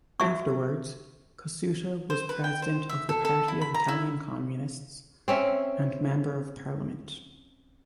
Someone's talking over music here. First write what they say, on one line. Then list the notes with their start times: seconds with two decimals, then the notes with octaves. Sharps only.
Afterwards, Cossutta was president of the Party of Italian Communists, and Member of Parliament.
0.20 F#4 E5 C#6
2.10 C5
2.29 B4
2.44 G5
2.62 C5
2.89 E5
3.09 A4
3.25 A4
3.48 E4
3.61 B5
3.74 A#5
3.88 E4
5.28 C4 C#4 E5